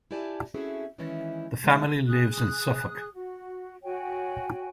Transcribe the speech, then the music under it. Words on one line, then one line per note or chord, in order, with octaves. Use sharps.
The family lives in Suffolk.
E4 F4 G4 D5 G#5 A5
C4 C#4 E4 F#4 G#4 A4
D#3 E3 G#3 C#4 D#4 E4
B2 G#3 A3 D#4
G#4 D#6 F#6
F#4
F#4 C#5 G5 G#5